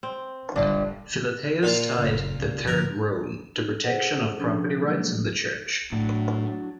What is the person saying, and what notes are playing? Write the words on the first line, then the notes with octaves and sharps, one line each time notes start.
Philotheus tied the "Third Rome" to protection of property rights of the church.
C4
G1 D4
A#2 F4
F#1 C#3
E1 C#2
G2 D3 F3 A#4
D#4 A4
E4 G#4 A4 C5 F#5
B2 F3 C#4 D4 A4
F#3 G#3 A#3 D#4
A2 F#3 D4